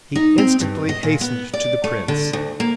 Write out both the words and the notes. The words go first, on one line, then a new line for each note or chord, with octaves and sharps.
He instantly hastened to the Prince.
D#4
C4
G2
D#5
A#2
B3
D5
A3
D3
D2
A#3